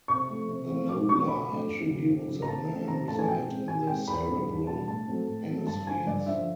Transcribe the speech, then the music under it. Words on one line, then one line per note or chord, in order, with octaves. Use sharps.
The nobler attributes of man reside in the cerebral hemispheres.
C3 C#6
F3 A3 C4
C3
F3 A3 C4
B2 D6
F#3 A3 D4 C#6
B2 B5
F#3 A3 D4
F2
C#3 F#3
F2
C#3 F#3
A#5
C3 A5
F3 A3 C#4
C3 A#5
F3 A3 C#4 A5
G#5
B2 G5
G#3 C4
B2 G#5
G#3 C4 G5
E2 B5
B2 G3 B3 D4
E2
B2 G3 B3 D4 A5
A2 A5
F#3 A3 C4
A2
F#3 A3 C4
G2 A5
D3 F3 G#5
G2 D5
D3 F3 E5